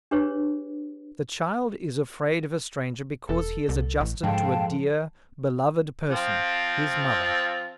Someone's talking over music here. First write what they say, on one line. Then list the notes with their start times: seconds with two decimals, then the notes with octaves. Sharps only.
The child is afraid of a stranger because he is adjusted to a dear, beloved person, his mother.
0.11 D4 G4 G#4 B4 C#5
3.29 E1 A4
3.69 C2
4.00 A1
4.23 G#2 F3 G#4 A4 F5 G5 A5
6.10 F3 C4 F4